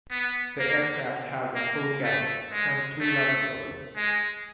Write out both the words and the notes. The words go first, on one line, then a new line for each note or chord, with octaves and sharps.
The aircraft has a full galley and two lavatories.
B3
A#3
A#3
A3
G#3
A3
G#3